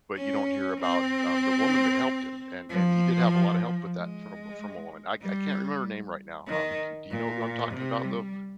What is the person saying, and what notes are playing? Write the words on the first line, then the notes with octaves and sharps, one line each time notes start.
but you don't hear about, um, the woman that helped him, and and he did have a lotta help with that from a from a woman. I c I can't remember her name right now, um, do y do you know who I'm talking about, though?
C#4
C4
F3
G#3
G3
D#3
A#2
C3
G3